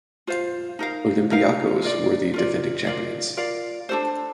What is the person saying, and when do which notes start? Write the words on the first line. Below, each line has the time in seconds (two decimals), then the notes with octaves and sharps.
Olympiacos were the defending champions.
0.27 F4 C5 F5
0.79 D#4 A#4 F5
1.31 D#4 A#4 F5
1.82 F4 A#4 D5
2.34 F4 A#4 D5
2.86 F4 A#4 D5 F5
3.37 F4 A#4 D5 F5
3.89 D4 F4 A4 C5